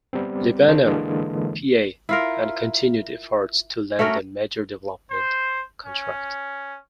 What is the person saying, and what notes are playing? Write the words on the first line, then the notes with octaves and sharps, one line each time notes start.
Lebanon, Pa., and continued efforts to land a major development contract.
G3 B3 C4
C#3 D4 C5
D3 E3 G#3 A#3 D4
E4 F4 A#4
A3 C#4 F#4 A#4
C5
C#4